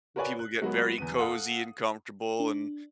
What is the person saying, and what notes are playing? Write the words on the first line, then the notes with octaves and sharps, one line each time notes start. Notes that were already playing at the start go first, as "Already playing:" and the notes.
people get very cozy, and comfortable, and
F#4 A#4 B4 C#5 D5 G#5
F#6
F#3 G#3 A#3 B3 F#4 B4
E2 B3 D#7
A4 F5 F#5 D#6
D4